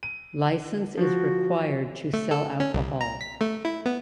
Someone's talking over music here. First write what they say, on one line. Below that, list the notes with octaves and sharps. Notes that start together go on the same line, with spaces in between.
Licence is required to sell alcohol.
D#7
F3 F#4
A3
A4
C#4
C2
A#5
B6
A3
E4
B3